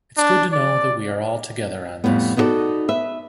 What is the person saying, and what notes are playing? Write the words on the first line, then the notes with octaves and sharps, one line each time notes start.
It’s good to know that we are all together on this.
D4
D5
F2 A2 G3 B3
B3 D#4 E4 F#4 A4 D5
B4 E5